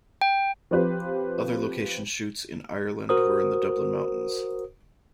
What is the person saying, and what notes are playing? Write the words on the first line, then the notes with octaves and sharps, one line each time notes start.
Other location shoots in Ireland were in the Dublin Mountains.
G5
F3 C4 F4 G4 B4 C5
F#4 A#4 C5 D#6